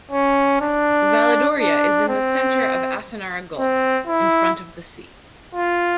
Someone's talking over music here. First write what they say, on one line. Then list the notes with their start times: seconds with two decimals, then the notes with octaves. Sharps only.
Valledoria is in the center of Asinara gulf, in front of the sea.
0.11 C#4
0.61 D4
1.60 D4
2.09 C4
3.57 C4
4.07 E4
5.55 F4